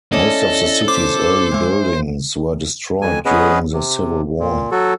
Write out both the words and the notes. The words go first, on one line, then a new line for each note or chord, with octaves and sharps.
Most of the city's early buildings were destroyed during the Civil War.
C#4 E4 A4 D5 D#5
C5 D6
G#3 E5
F2 G#5
B3 C#4 G#4 B4 D#5
C3
A#2
F#3 F#4 A4